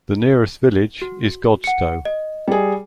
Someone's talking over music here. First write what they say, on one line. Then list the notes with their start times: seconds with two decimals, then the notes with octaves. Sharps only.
The nearest village is Godstow.
1.02 F#4
1.64 F#5 C#7
2.05 D#5
2.48 G3 G#4